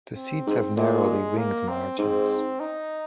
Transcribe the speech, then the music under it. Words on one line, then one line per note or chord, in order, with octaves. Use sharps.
The seeds have narrowly winged margins.
C4
G#2
A#2 G#3
A#3
C4
G#2 C4
D#4